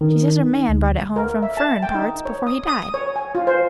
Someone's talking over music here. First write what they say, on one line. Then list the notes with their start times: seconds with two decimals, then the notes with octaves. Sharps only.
She says her "man" brought it home from "furrin' parts" before he died.
0.01 D#3
0.52 D#4
0.69 D2
1.16 A#4
1.43 E5
1.57 A5
1.83 G5
1.95 D#4
2.25 C#5
2.47 D#6
2.67 D#6
2.94 C#5
3.16 G#5
3.35 F4
3.47 C5